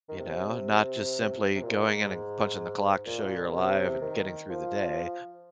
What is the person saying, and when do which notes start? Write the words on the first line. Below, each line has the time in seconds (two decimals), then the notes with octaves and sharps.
You know? Not just simply going in and punching the clock to show you're alive and getting through the day.
0.09 D#3
0.19 C3
1.55 C3
1.63 A#2
1.87 G#2
3.06 A#2
3.49 D#3
3.54 C3
4.01 D#3
4.50 F3